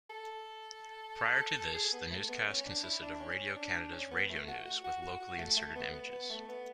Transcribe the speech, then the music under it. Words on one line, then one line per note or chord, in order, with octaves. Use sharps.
Prior to this the newscast consisted of Radio-Canada's radio news with locally inserted images.
A4
G#4
B3
A3
B3
C#4
D4
E4
D4
C#4
D4
C#4
B3
A3
F#4
F#4
F#4
F#4
F#4
A3
A3
B3
B3
B3
A3
B3